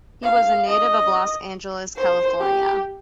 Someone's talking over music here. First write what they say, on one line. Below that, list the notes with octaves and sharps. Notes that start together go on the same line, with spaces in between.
He was a native of Los Angeles, California.
F5
D#5
C5
G4